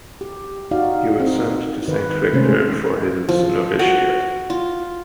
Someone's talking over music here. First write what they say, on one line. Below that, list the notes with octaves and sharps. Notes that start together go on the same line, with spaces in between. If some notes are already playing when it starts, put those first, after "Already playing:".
He was sent to Saint Victor for his novitiate.
G4
D#4 F#4 D5 F5
C4 D#4
D#3 B4
C3 G#3 A3 C#4 C5
F3
F#4
F4